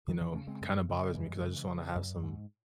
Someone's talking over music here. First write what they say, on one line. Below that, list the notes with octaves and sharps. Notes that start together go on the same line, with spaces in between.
you know, kinda bothers me 'cause I just wanna have some
F#2 D#3
E3
C#3 A3 C#4
G#3 C4
F#2
C#3
F#2 E3 G#3
C#3
C#3
F#2
G#2